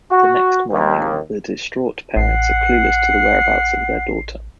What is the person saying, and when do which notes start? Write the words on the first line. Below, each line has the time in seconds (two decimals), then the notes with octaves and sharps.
The next morning, the distraught parents are clueless to the whereabouts of their daughter.
0.11 F#4
0.72 D#2
2.16 A1 F#5 C7